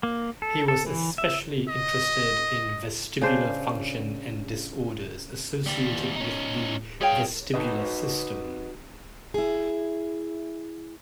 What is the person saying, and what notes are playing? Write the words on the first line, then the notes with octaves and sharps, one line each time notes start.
He was especially interested in vestibular function and disorders associated with the vestibular system.
A#3
A4
A4
E3
E5
D#5
C#3 D4 C5
D#2 G3
C#4 D#4
G3 G#4 C#5 F5 G5
D#4 F#4 B4 D#5
E4 G#4